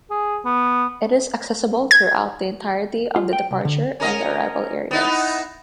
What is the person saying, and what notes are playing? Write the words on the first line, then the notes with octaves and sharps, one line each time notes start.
It is accessible throughout the entirety of the departure and arrival areas.
G#4
B3
G#6
F4
G5
C2
D3
C#4 A#4 D#5
B3 D#4 E4